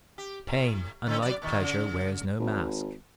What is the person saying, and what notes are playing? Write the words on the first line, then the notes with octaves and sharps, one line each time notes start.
Pain, unlike pleasure, wears no mask.
G4
A2
D3 C4 C#4
F#3 D5
A#2 D#3
C#3
G#1